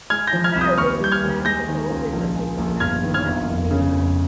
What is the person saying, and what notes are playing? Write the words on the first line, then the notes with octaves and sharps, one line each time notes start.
The curve is symmetrical with a single maxima and minima.
G#3 F6 G#6
G6 A#6
F3
F6 G#6
C2
D#6 G6
D#2 C#6 F6
G3 G6
F6 G#6
D#2
G#3 G6 A#6
D#3
C#2
A#1
G#3
A#1
G1 F6 G#6
D#3
F6 G#6
G1
F1
C#3
F1